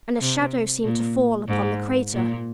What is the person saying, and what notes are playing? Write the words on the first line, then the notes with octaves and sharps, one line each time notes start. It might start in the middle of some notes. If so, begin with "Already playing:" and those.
And a shadow seemed to fall upon the crater.
C3
A#2
G#2
A#2